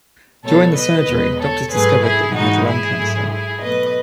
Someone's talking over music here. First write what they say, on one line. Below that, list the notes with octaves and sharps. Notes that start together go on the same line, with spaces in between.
During the surgery, doctors discovered that he had lung cancer.
B2 F#3 A3 A4 C#5
B4 D#5
E2 B2 G#3
A4 C#5
G#2 F#3 A3 G#4 B4
E4 G#4
G#2 E3 G#3 D#4 F#4
E4 G#4
G#2 F#3 A3
E4 G#4
B2 F#3 A3 B4 D#5